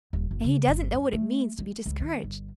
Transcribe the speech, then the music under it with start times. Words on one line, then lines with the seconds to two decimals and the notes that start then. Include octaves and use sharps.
And he doesn't know what it means to be discouraged.
0.13 D#1
0.31 F#1
0.44 C#3
0.67 G1
0.93 F#2
1.13 A3
1.59 G#3
1.86 C#2
2.00 D#3
2.24 G1